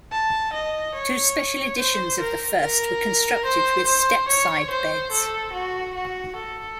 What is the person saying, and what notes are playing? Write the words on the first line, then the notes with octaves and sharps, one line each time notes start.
Two special editions of the first were constructed with step-side beds.
A5
D#5
C#5
C5
A#4
A#4
C5
C5
C#5
C5
A4
F#4
F#4
A4